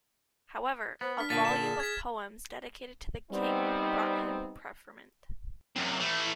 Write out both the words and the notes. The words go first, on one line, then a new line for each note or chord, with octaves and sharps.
However, a volume of poems dedicated to the king brought him preferment.
B3 C5
D4 F6 B6
A#2 D3 A6 B6
D5 E7
G#4
G#6 B6
G3 B3 C4 D#4
F#2 C3
E3 A3